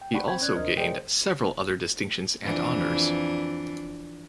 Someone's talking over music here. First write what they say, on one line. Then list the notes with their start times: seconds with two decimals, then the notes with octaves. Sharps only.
He also gained several other distinctions and honours.
0.02 G5
0.14 D5 F#5 G5 A5 B5 C#6
0.28 C4 C5 G5 B5 C#6 G#6
0.41 C#4 D5 F#6 G#6
0.56 D2 D4 A#4 C5 D#5 F6
0.77 G#4 A#4 C5 D5 D#5 G5
2.42 F2 E3 D4